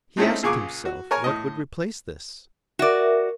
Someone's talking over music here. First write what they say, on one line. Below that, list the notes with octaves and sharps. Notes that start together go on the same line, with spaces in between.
He asked himself what would replace this.
G#3 A3 C4 C#4 D#4 E4
C#2 A#2 G#4 C#6 D6
F#4
A#4 C#5 G#5
A2 D#5
F#4 A#4 D5 E5